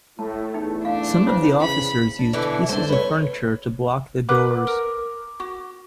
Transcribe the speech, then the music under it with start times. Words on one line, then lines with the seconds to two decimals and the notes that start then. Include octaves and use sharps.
Some of the officers used pieces of furniture to block the doors.
0.19 A2 A3 A5
0.54 E2 D#4 G5
0.85 D4 F5
1.27 C#3 C#4 F4 C5
1.61 G5 B5
2.19 D4
2.33 B2 D3 E3
2.69 A3 D4 C5
2.89 B4 C#5
4.29 A#4 B4 F#5 D6
4.67 A#4
5.40 F#4